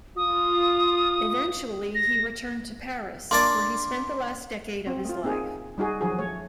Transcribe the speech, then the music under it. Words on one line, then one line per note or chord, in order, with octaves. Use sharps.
Eventually he returned to Paris, where he spent the last decade of his life.
F4 D#6
A#6
A#3 D4 D5 C6
C4
A3 F4
A#3 C4 D#4 G#4
G3 D#4 F#4 G#4
D#3 F3 F#3 F#4 G#4
A3 C#5